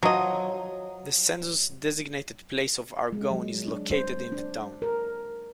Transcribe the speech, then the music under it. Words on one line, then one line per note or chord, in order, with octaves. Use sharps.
The census-designated place of Argonne is located in the town.
F3 F#3 D#5
G#3
F#3
D4
C5
D4
A#4